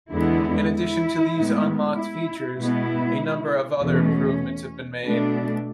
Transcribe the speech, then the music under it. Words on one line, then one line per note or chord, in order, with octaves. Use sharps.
In addition to these unlocked features, a number of other improvements have been made.
E2 D3 G#3 B3 E4
E4
A2 G#3 B3
E4
B2 G#3 B3 E4
E2 B2 A3 C#4
B2 A3 D4